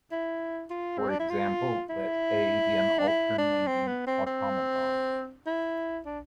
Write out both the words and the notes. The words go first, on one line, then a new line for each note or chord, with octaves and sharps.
For example, let "A" be an alternating automaton.
E4
F4
C4
D4
E4
F4
E4
D4
E4
D4
C4
B3
C4
C4
E4
D4